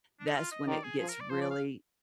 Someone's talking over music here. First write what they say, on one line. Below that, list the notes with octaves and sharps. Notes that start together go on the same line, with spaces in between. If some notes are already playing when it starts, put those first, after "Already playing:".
that's when it gets really
D4
D#4
F4
D#5
D#3 D5
G#4
F3 G#4
A#4
D5
F3 C5
D5
F5